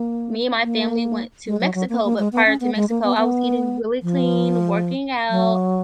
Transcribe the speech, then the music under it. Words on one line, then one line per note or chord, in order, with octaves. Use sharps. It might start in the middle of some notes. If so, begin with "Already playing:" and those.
Me and my family went to Mexico, but prior to Mexico, I was eating really clean, working out,
Already playing: A#3
A#3
G#3
F#3
F#3
A#3
A#3
G#3
B3
C#4
B3
G#3
A#3
B3
B3
F3
F#3